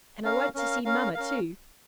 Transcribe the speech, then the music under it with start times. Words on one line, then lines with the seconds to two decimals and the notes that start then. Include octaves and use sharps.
And I want to see mamma too.
0.25 C#4 A#4 F5
0.55 C#4 A#4 F5
0.85 C#4 A#4 F5
1.15 C#4 A#4 F5